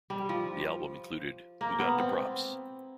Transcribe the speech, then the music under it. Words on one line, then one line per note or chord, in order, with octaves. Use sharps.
The album included Who Got Da Props?
G3
F3
A#3
B3
C4